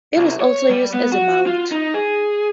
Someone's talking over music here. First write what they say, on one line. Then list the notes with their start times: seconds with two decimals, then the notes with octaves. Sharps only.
It is also used as a mulch.
0.17 C2
0.40 C#5
0.70 G3
0.94 B3
1.12 F#4
1.47 F4
1.72 D#4
1.94 G#4